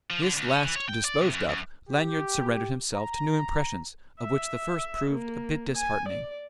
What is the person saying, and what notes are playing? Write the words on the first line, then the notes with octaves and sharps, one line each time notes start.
This last disposed of; Lanyard surrendered himself to new impressions--of which the first proved a bit disheartening.
F3
D3
D2
C#4
E3
C#5
G5
D5
C3
F#2
F#2
G4
A#5
E5
A#3
G#5
D5